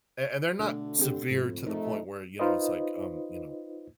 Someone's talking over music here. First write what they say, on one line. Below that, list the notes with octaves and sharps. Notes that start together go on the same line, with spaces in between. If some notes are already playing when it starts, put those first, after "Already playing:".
A and they're not severe to the point where, you know, it's like, um, you know,
B2 D3 A3
C4 G4
F2 G#2
C3 F3 A3 D#4 A#4
D#4 F4 B4 C5 D#5